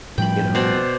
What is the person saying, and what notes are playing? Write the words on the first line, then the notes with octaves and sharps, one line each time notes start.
You know,
A2 F3 G3 G5 B5
B2 C5 D5